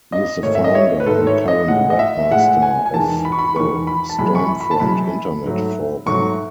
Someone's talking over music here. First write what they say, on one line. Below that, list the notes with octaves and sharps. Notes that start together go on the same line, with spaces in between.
He is the founder, and current webmaster, of the Stormfront internet forum.
D#5
G#2 D#3 A3 C#5
E5
D#5
C#5
B4
G#2 D#3 A3 A4
C#5
D#5
A2 G#3 F#5
D#5
E5
A2 G#3 F#5
G#5
G#5
E2 D#3 G#3 A5
B5
C#6
B5
E2 D#3 G#3 C#6
B5
A5
F#2 E3 G#3 B5
C#6
B5
B5
A5
F#2 E3 G#3 B5
G#2 F#3 A3
G#2 F#3 A3 C#6